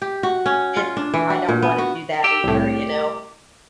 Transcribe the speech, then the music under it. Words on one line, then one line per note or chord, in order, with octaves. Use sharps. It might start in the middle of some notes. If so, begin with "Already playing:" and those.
it I don't wanna do that either, you know?
G4
F#4
C#4
F4
D4
E3
F#4
A#2
B3
F#4
G4 E6
C2 A2